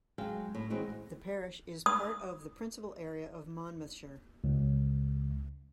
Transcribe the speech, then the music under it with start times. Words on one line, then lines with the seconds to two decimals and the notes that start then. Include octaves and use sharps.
The parish is part of the principal area of Monmouthshire.
0.18 F#3 G#3 F5 G5
0.55 A2
0.70 D#3 E3 G#3 C4 F#4
1.86 D#6
4.44 C#2